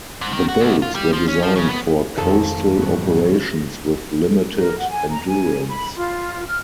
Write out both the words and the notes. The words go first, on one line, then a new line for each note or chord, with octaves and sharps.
The boats were designed for coastal operations, with limited endurance.
G#2
D#3
F#4
D2
F4
G3
F3
C#4
F3
C#3
B3
F2 D#3 A4 G#5 D7
G2 A#2 F#3 B3 F#4
A#4
F#5
G#5
A#5
G#5
B5
F4
F6